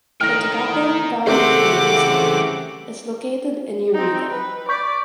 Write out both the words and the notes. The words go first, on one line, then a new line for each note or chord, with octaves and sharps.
The Tobacco Valley Community Center is located in Eureka.
A2 D#4 G5 F6 A#6
C#3 E3 A3 C4 G4 C5 F#5 D6
C4 D#4
B4
D5 C#6 G6 B6